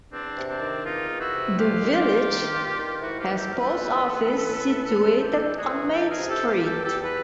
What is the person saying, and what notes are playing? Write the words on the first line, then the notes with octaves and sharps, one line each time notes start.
The village has Post Office situated on Main Street.
E2 C4 D4
C3
C4 D4
D#3
E2 D#4 F4
E2
E4 F#4
C3
G2 F4 G4
D#3
F4 G4
G2
D#3
G2
D#3
G#2 E4 F#4
F4 G4
E3
G4 A4
G#2 A#4
A4 B4
E3
G#2
E3
A2
E3
A2
E3 G4 A4
A2
F#4 G#4
E3
E2 G4 A4
G#4 A#4
C3
G4 A4
E3
F4 G4
E2 G4 A4
G4 A4
E2
A4 B4